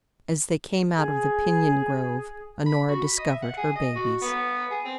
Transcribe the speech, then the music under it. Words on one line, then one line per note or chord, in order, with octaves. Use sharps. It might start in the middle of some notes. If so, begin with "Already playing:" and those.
As they came out of the pinon grove, Honora discovered her babies.
G#4
B5
F#4
B5
D#5
E5
F#5
G#4
D#5
F#4
B3
G#4
C4